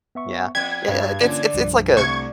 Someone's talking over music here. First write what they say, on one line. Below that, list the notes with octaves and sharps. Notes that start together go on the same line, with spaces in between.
Yeah. Ye uh, it's it's it's like a,
B3 E5 C#6
F2 B3 D5 G5 G#6 B6
G2
D3 E3 A#3 C#4 D4 F4 D5
C2 G2 F3
C2 A3 D4 C#6 G#6